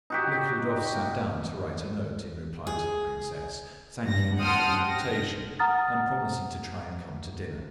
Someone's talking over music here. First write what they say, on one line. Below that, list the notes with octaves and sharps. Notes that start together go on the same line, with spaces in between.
Nekhludoff sat down to write a note in reply to the princess, thanking her for the invitation, and promising to try and come to dinner.
D#4 F#4 G4
G#4
G2 A#6
F#5 G5 A5 C6 D#6 F6
A#6
F#5 A#5 D#6 F6 A6